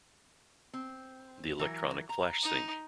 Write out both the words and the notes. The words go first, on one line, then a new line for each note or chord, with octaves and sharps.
The electronic flash sync.
C4
E3 F#3 A#4
A#5
D#4